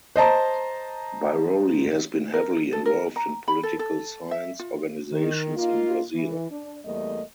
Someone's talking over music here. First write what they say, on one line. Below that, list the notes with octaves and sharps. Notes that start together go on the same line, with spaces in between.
Biroli has been heavily involved in political science organizations in Brazil.
C5 D#5 A5 A#5
A#4
A4
A#4
A#5
B5
A4
A4
E5
F4
D#3
A#3 D#4 F4
E3
D4
E2 G3 A3 A#3 D#5